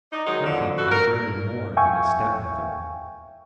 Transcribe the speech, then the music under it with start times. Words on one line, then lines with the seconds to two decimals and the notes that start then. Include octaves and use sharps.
Nothing I dreaded more than a step-mother.
0.13 D#4 D5
0.27 D#3 F#3 G#3 D#4
0.46 F2 D3
0.79 E4 F#4 A4 B4
0.91 A#4
1.77 E5 F5 G5 G#5 C#6